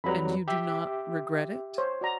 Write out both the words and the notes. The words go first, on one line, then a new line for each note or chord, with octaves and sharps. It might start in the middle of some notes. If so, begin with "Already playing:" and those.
"And you do not regret it?"
F2 F#3 G3 B4 A#5 B5
G4 E5
C5 C#5
F#4 D5 A#5